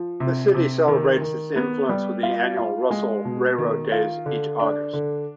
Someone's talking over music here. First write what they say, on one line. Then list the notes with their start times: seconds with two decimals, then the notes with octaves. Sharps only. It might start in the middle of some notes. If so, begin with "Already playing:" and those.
The city celebrates this influence with the annual "Russell Railroad Days" each August.
Already playing: F3
0.20 C3
0.54 C3
0.88 D#3
1.22 D#3
1.56 B3
1.89 G3
2.23 F4
2.57 F4
2.91 G#3
3.25 B2
3.58 D#3
3.92 F4
4.26 D3
4.60 D4
4.93 D3